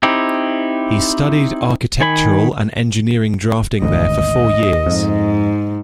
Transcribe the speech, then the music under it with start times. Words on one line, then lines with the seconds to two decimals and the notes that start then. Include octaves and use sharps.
He studied architectural and engineering drafting there for four years.
0.03 C4 D#4 E4 G4
2.01 D#3 G#5 B5
3.82 G#1 D2 D#5
4.86 F2 G#2